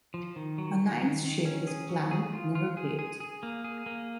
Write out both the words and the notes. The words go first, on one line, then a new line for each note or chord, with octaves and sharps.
A ninth ship was planned but never built.
F3
D#3
F#3
D#3
D#3
D#3
C#4
G#4
F#3
G#4
F4
F4
G#4
G#4
G#4
A#3
G#4
A#3